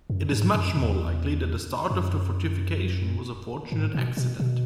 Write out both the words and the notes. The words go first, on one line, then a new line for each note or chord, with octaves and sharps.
It is much more likely that the start of fortification was a fortunate accident.
F#2
G#2
F#2
E2
F#2
G#2
B2
B2
B2